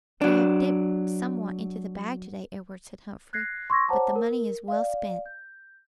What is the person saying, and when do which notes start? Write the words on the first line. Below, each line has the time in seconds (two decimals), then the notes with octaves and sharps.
"We have dipped somewhat into the bag to-day, Edward," said Humphrey, "but the money is well spent."
0.21 F#3 D4
3.33 F#6 G#6 A#6 C7
3.70 C6 C#6 E6 G#6 A#6
3.88 C5 C#5 F#5 A5 A#5 D6
4.16 A#4
4.68 D5 F5
5.26 G6